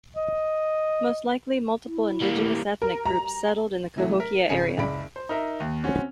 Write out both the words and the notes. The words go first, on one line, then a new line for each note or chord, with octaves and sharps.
Most likely multiple indigenous ethnic groups settled in the Cahokia area.
D#5
E4
G3 A#3
A#4
A#5
C3 E3 F#3 A3
A#4 B6
G#1 C#3 G#5 C#7
F#1 C#2 D5 B5 D7
C5
D#4 A#4 E5
D#2
C4 C#4 F#4